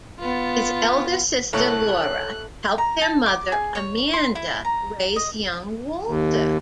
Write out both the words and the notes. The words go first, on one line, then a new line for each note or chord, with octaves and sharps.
His elder sister, Laura, helped their mother, Amanda, raise young Walter.
B3 F4
C2 A2 A3 A4 C#5 F#5 A#5 F#6
A#5
A5
D6
G#4
C#5
C6
E4
A#5
D#5
D#2